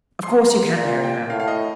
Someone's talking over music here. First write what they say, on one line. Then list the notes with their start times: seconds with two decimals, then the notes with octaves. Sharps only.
Of course you can't marry her.
0.23 C6
0.41 A#5
0.76 A#2 A#5
1.04 G5
1.30 A2 F5
1.40 F5
1.48 D#5